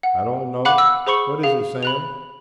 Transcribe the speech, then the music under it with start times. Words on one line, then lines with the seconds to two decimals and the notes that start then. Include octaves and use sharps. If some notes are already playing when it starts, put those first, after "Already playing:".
"I don't know,--what is it, Sam?"
0.03 F#5
0.65 F5 F#5 B5 D6 F#6
0.78 E6
1.07 G#4 C5 B5 C#6 C#7
1.43 G#4 F5
1.83 B5 F#6 F7